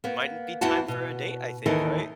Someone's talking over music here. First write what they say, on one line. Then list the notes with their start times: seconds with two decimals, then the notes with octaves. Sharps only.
it mightn't be time for a date, I think. Right?
0.04 A#3 B3
0.61 E2 E3 B3 F#4 F#5 A5
0.88 B2
1.66 D#2 D#3 E3 A4 A#4